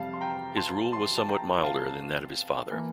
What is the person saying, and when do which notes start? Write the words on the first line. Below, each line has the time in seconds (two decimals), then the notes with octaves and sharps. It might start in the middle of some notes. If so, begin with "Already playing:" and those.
His rule was somewhat milder than that of his father.
Already playing: F2 C3 G3 F5 A5
0.13 C6
0.21 G5 A#5
0.56 A5 C6
0.92 A5 C6
1.18 A5
1.29 G5 A#5
1.64 F5 A5
2.71 E3 A#3